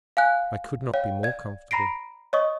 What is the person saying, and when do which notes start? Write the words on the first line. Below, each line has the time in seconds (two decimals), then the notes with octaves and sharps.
"I could not be more comfortable."
0.17 F5 G#5 F#6
0.94 C#5 F5 G5
1.23 D5 G#6
1.71 A#5 B5 A#6 C7 D7
2.33 C#5 D#5 C#6 D#6